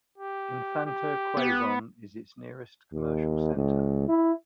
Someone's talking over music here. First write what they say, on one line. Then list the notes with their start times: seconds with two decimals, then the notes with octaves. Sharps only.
Infanta, Quezon is its nearest commercial center.
0.18 G4
0.86 G4
1.37 B3
2.93 D#2
3.56 C#2
4.08 E4